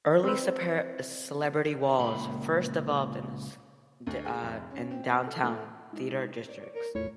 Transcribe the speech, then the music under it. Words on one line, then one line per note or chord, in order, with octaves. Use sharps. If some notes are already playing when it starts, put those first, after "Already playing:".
Early celebrity walls first developed in downtown theater districts.
C4 B4
C#2 A#2 A#3 G5 B5
D2
G#4
F1
C#4
C4
C4
A4
A3
G#3 D#4 E4
C#5 D5
A#4
E2 A2 F4 C#5 B5